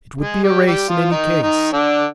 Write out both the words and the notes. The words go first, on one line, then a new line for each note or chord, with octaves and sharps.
It would be a race, in any case.
G#3 G#4
G3 G4
G3 G4
F3 F4
D#3 D#4
D#3 D#4
D3 D4